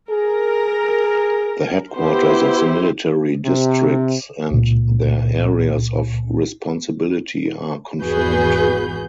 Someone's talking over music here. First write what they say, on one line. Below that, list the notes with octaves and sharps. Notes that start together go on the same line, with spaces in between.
The headquarters of the military districts and their areas of responsibility are confirmed.
G#4 A#4
B3 E4 G4 C5
C3
C#2 A#2
G#1 E2 F#4 G#4 B4 G6